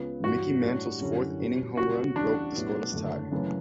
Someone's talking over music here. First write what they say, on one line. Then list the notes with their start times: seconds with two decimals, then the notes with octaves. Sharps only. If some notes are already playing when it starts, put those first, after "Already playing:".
Mickey Mantle's fourth-inning home run broke the scoreless tie.
Already playing: C#2 C#3 B3
0.23 A1 G2 F#3 F#4
0.62 A2 G3 D4 G4 C#5
1.01 F#2 D3 G3 C#4 E4
1.39 B2 G3 C#4
1.77 C#2 C#3 G3 F#4
2.16 E2 C#3 G3 D4
2.54 B1 A2 G3 B3 E4
2.93 F#1 F#2 D3 A3
3.32 F#1 F#2 C#3 E3 A3